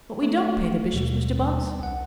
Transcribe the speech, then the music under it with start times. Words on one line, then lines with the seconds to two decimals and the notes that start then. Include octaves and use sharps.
"But we don't pay the bishops, Mr. Bunce."
0.22 A3 C#5
0.93 D#2 B2 G3
1.79 C2 F#5